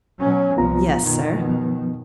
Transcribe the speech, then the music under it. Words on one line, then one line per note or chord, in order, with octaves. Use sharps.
"Yes, sir."
B2 F#3 C#4
C2 A#2 F3 B3 F4 A#5
F#2 B2 D#3
F3 B3